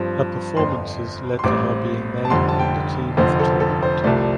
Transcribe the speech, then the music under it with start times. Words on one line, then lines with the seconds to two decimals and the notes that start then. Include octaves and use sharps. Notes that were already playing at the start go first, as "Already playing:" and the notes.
Her performances led to her being named in the Team of the Tournament.
Already playing: G2 F3 C4
0.57 G1 F2 F3 C6
1.39 C6
1.44 A1 A2 G3 C4 D6
2.25 A5
2.30 F1 F2 D3 G3 C6
2.49 A5
2.59 G5
3.17 F1 F2 D3 F3 C4 C5
3.39 A4
3.60 A4
3.83 C5
4.04 C2 C3 F3 A3 D5